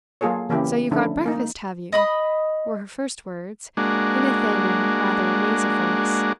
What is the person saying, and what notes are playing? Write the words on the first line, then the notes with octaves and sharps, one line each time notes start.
'So you've got breakfast, have you?' were her first words, in a thin and rather nasal voice.
F#3 A#3 F4 G#4 A4 C#5
C#3 E3 A#3 C#4 E4 G4
D3 F3 A3 C#4 E4 A4
A#3 D#4
D#5 B5 D#6
G#3 A#3 D4 F#4